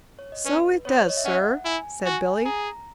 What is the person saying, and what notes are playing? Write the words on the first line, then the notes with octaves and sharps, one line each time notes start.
"So it does, sir," said Billy.
C#5
D#5
C#4 B4
B3 C#5
C#5
D#5
E5
C#4 F#5
E4 G#5
F#4 G#5
G#5
G#4 A#5